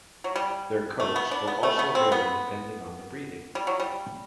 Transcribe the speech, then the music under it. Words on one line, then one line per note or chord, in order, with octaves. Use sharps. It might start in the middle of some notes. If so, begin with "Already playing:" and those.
Their coats will also vary depending on the breeding.
F#3
G3
A3
B3
D4
B3
A3
B3
C4
B3
G3
F#3
G3